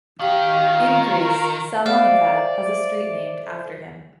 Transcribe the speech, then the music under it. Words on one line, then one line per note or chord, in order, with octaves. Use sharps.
In Greece, Salonika has a street named after him.
D#3 G4 F5
F4 A#4
A4 C5 D5 E5 F5